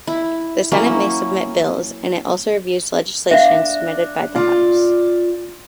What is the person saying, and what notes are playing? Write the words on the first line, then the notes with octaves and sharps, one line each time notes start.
The Senate may submit bills, and it also reviews legislation submitted by the House.
E4
F#3 A#3 C#4 E4
D4 E5 F5
F4 D5